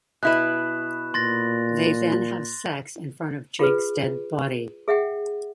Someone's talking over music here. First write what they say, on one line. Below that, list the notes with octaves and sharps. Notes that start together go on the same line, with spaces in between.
They then have sex in front of Jake's dead body.
B2 E4 B4 F#6 E7
A#2 C6 A6 A#6
F4 G#4 B4
G#4 E5 F#5 G5